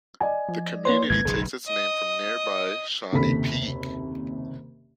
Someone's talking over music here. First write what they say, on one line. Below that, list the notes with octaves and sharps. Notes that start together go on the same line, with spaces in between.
The community takes its name from nearby Shawnee Peak.
D5 D#5 G#5
F3
A#3 B4 C#5 C6
G#1 C#2 G#2 G#6
F#1 B1 D#3 G#4
D#5
F#1 D#2 C3 A4 B5 B6